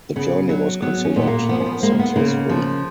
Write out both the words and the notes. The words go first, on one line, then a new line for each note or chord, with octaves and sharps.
The journey was considered successful.
C#3 B3
F#3
F#3 B3
C#4
A#2
B3
A#3
F3 B3
C#4
B3
G#3 A#3
B3
C#3 A#3
F3